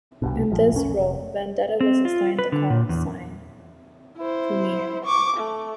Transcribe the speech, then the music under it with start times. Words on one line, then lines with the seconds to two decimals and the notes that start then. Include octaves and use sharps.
In this role, "Vendetta" was assigned the callsign "Premier".
0.22 C2 G2 B2
0.52 A#1 F3 G#3
0.72 B1 F2 C#4
0.98 F1
1.81 C4
2.05 F4
2.39 B4
2.52 D3
2.70 A#2
2.89 E2
4.18 E4 C5
5.05 C#6 D6
5.37 A3